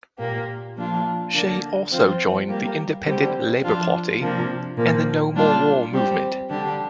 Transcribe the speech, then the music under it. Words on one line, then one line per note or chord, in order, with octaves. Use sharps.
She also joined the Independent Labour Party and the No More War Movement.
A#2 A#3 G4
F3 A#3 D4 F4
D3 A#3 D4
F3 C4 F4
G3 A#3 G4
D3 G3 C4 G4
F3 D4 F4
C3 F3 A#3 D4
A#2 F3 A#3
G3 A#3 D4 F4
G3 C4 G4
D3 G3 D4 G4